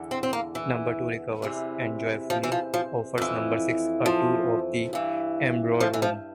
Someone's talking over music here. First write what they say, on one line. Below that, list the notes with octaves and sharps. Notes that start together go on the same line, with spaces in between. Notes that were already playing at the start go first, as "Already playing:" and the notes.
Number Two recovers and joyfully offers Number Six a tour of the Embryo Room.
Already playing: E2 D3
C4
C4
A#3
E3
E2 C3 E3
F3
E3
F3
F3
F2 E3
F3
G2 E3
F3
E3
F3